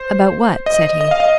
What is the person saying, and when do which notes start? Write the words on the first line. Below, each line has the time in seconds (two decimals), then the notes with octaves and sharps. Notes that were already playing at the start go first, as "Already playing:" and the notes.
"About what?" said he.
Already playing: C5
0.66 D#5
1.01 D#5
1.11 F5
1.20 D#5